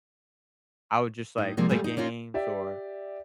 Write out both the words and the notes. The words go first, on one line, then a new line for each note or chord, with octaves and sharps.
I would just, like, play games or
A2 D#4
C3 F3 G#3 A#3 D4
A#2 G3 A3 G#4
D#4
A#3 C#4 D#4 F4
G4 D5 E5